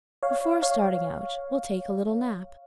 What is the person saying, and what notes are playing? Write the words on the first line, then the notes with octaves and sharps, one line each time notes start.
Before starting out, we'll take a little nap.
C#5 F5
C#5 F5